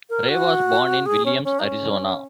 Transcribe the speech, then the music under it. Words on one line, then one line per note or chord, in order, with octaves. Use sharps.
Ray was born in Williams, Arizona.
A#4
F#4
G#4
C#4
C#4
D#4
C#4